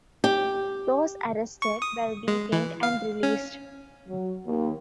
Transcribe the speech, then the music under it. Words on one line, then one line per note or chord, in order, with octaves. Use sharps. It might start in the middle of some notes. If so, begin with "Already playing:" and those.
Those arrested were detained and released.
G4
C#6
D#6
G#3
E3
F5
C#4
F#3
D#2